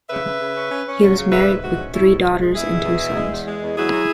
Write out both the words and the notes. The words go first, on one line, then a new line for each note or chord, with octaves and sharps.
He was married with three daughters and two sons.
C#3 B4 E5
C#3
C#3
C#4
C#4
C#4
F#3
C#3
G#2 B4 E5
G#2
G#2 F#4
C#4
C#4 E4
G#2
G#2
G#3
E2 E4 G#4
B2
E2
B2
G#3
E2
G#3
E2
F#3 E4 G#4
F#3